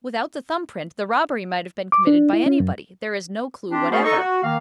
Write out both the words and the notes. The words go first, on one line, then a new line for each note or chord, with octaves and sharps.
Without the thumb-print, the robbery might have been committed by anybody; there is no clue whatever.
D6
D4
E4
C#4
F#2
C4 D4 G4
A3 B3 F#4 G#4 A#4 C5
D#4 A4 C#6
F#4
D#3 A#3 F5